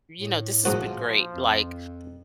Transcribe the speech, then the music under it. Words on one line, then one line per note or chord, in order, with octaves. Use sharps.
you know, this has been great, like,
A2
A#1 G#2 F3 D#4 F#4 C5
F2